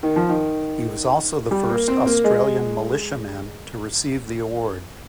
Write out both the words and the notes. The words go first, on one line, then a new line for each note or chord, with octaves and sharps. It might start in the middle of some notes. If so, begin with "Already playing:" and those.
He was also the first Australian Militiaman to receive the award.
D#3
F3
D#3
G3
A#3
C4
A#3
G#3